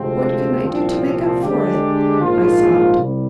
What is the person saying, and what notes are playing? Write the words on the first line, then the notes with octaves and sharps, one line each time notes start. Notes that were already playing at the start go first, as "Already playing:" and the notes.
"What can I do to make up for it?" I sobbed.
Already playing: D2 C3 F3 G#3 C4
C2 A#2 F3 C4
D3 G#3 D4 G4
A#1 G#2 F3 A#3 F4
C2 C3 G3